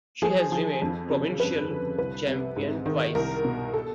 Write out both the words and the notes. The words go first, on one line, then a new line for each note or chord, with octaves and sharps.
She has remained provincial champion twice.
F3 G#4
F3
F2
C#3
G2 B4
D3
C2 B4
C3
G#2
D#3
C2 A#4
B2
A4